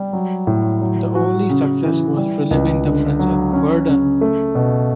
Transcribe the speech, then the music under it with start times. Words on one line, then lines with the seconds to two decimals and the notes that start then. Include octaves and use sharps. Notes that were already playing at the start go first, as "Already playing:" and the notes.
The only success was relieving the French at Verdun.
Already playing: G3
0.13 F#3
0.47 A2
0.82 F#3
1.15 F#4
1.49 C#3
1.84 E3
2.17 G3
2.51 C#2
2.85 D3
3.19 F#3
3.53 C#4
3.87 C#3
4.21 A3
4.55 B2